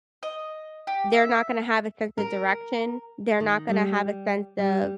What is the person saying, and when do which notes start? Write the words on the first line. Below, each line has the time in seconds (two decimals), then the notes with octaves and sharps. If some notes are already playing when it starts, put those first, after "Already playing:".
They're not gonna have a sense of direction, they're not gonna have a sense of
0.23 D#5
0.87 G4
1.13 E5
2.18 A#4
3.40 D#3
3.68 G3
4.58 G3